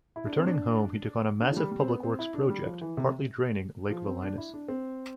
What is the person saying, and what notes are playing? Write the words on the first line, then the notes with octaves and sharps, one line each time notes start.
Returning home he took on a massive public works project, partly draining Lake Velinus.
E4
D4
C4
D4
D4
F3
G3
G3
C4
B3
C4
E4
D4
G3
F3
E3
C3
F3
C4
D4
E4
D4
C4